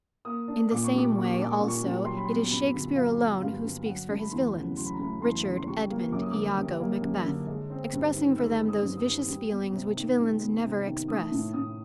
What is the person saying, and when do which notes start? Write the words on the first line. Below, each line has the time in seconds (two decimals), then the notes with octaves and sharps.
In the same way, also, it is Shakespeare alone who speaks for his villains: Richard, Edmund, Iago, Macbeth, expressing for them those vicious feelings which villains never express.
0.25 A#3 D#6
0.48 D4
0.71 A#2 D6
0.84 C#6
0.93 G3 D6
1.16 A#3 C#6
1.24 D6
1.33 C#6
1.38 D4 D6
1.51 C#6
1.60 A#2 D6
1.68 C#6
1.83 G3
2.05 F#3 C6
2.16 B5
2.25 B3 C6
2.51 G2 B5
2.73 D3
2.96 F#3 F5
3.18 B3
3.42 G2 F5
3.64 D3
3.86 F#3 F#5
4.09 A3
4.19 B5
4.31 E2 C6
4.55 C#3
4.77 F#3 C6
4.85 B5
4.93 A#5
4.99 A3 B5
5.22 E2 C6
5.44 C#3
5.57 C6
5.67 G3 C#6
5.90 A#3
6.12 F#2 D6
6.22 D#6
6.31 D3 D6
6.58 G3
6.80 A#3
7.02 F#2
7.25 D3
7.47 G#3
7.70 C4
7.93 G2
8.15 D#3
8.38 G#3 E6
8.60 C4
8.68 D#6
8.82 G2
8.97 D#6
9.05 D#3
9.27 G3
9.50 B3
9.73 C3
9.96 D#3
10.19 G3
10.41 B3
10.64 C3
10.87 D#3
11.08 A3 D#6
11.31 A2
11.54 A2 D#6